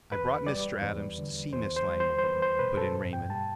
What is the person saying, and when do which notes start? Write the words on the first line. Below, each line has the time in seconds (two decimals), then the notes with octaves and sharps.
"I brought Mr. Adams to see Miss Langmore," put in Raymond.
0.12 E2 B4
0.47 G3 D5
0.82 E2
1.18 D3
1.53 E2 C5
1.76 C5
1.88 G3
2.00 C5
2.19 C5
2.24 E2 B4
2.42 C5
2.59 B2 B4
2.77 A4
2.94 G2
3.13 G5
3.30 G3 A5